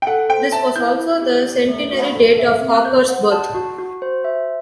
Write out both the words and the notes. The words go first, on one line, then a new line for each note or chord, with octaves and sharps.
This was also the centenary date of Hawker's birth.
G5
A4 F#5
C5 G5
E5 A5
E4 G6
E4
G4
D5
A3
F#4
A4
E5
C4
F#6
C5 G6
F#5
A5
F#4
F#4
C5
E5